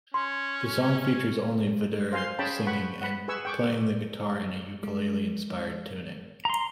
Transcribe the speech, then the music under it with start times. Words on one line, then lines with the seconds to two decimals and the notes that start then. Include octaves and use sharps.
The song features only Vedder singing and playing the guitar in a ukulele-inspired tuning.
0.14 C#4 C6
2.12 C5 F5 G#5 C6
2.39 C#4 G#4 C#5 G5 A5 B5
2.66 B4 F#5 B5 C#6
3.02 F#5 B5
3.28 G#4 B4 G#5 C#6 E6
3.45 G5 C#6 D6
4.84 G#3
6.45 A#5 C6